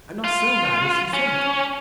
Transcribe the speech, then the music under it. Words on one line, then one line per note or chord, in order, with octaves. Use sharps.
I'm not so mad as you think.
F4
C#4